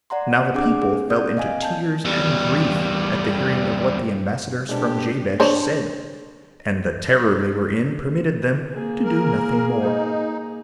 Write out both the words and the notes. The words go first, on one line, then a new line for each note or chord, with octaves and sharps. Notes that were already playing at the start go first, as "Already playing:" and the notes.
Now the people fell into tears and grief at the hearing of what the ambassadors from Jabesh said; and the terror they were in permitted them to do nothing more.
D5 F#5 A#5 C6
C4 D4 G#4 F#5 D6
G#4
C4 D5 D#6 G6
D#5 F5 G#5
A5 G6
E2 G3
B2 G#3 C4 D4 G4 A4
D4 C5 C#5
A#3 G#4
A#4
D#4